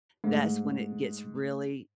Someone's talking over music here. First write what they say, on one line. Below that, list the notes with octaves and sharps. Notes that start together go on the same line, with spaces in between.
that's when it gets really
G#2 A3